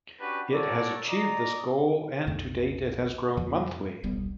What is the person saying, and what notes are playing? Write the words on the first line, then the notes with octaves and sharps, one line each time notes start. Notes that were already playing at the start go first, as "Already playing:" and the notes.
It has achieved this goal and to date it has grown monthly.
C#4 D4 F#4 G4 B4
F#4 A4 A#4 C#5 D5
D5 D#5 A#5
B1 F2 C3 A3
F2 C3 F3
D#1 B1 G3 B3